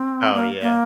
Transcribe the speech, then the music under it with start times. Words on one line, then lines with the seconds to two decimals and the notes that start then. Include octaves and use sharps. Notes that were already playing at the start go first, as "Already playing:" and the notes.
Oh, yeah.
Already playing: C4
0.34 A#3
0.61 A#3